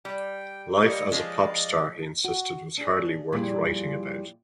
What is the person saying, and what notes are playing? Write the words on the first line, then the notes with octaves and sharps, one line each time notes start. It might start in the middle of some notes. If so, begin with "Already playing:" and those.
Life as a pop star, he insisted, was hardly worth writing about.
G3 G5
G3 A#3 C#5 D#5
F3 G#3 C#4 D5 D#5 F5
F#4
D4 G#4
F2 A#2 G3 E4 G#4 D5